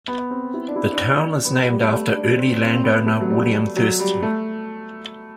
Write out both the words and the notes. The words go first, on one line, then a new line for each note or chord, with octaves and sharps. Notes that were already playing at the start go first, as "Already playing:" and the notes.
The town is named after early landowner William Thurston.
B3
C4
E4
D4
E4
D4
B3
G3
G3
A3
D4
C4
C4
C4
B3
A3
F#3
G3
F#3
G3
A3